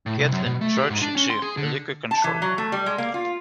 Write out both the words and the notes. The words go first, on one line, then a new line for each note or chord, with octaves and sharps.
Catlin, George E. G. "Liquor Control".
A2
C2
F#2
B2
A3
G4
G#2
D4
C#4
C6
G#4
D3
A5
E3
F#3
A3
G3
G#3
A#3
F4